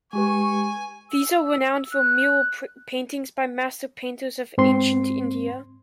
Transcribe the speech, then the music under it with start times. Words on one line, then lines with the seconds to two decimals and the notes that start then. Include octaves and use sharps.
These are renowned for mural paintings by master painters of ancient India.
0.13 G#3 G4 B4 G#5 C#6
1.10 E6
1.91 F#6
4.58 G#2 C4 C6